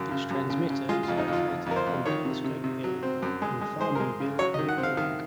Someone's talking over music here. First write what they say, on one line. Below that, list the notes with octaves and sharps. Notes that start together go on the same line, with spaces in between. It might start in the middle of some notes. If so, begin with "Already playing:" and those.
Its transmitter is located on Telescope Hill in Farmingville, New York.
Already playing: F#2 C#3 F#4
C#3
F#2
C#3
C#3
G#3 F4
F4
F2
D#4
F2 F4
F2
F2 A#4
C5
F2
D#3 C#5
C3
C3
C3
F#3
C4
F#2
G#3
G#3
G#3 C5
A#4
G#3
C#3
F#3 C#5
D#5
D#3
F#5
C4
F5
D#3 F5